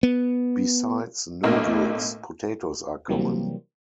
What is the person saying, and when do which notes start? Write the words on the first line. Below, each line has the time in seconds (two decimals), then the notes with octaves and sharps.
Besides noodles, potatoes are common.
0.03 B3
1.43 B1 A2 A#3 D4 A#4
3.08 C3 E3 F#3 G3 A#3 C4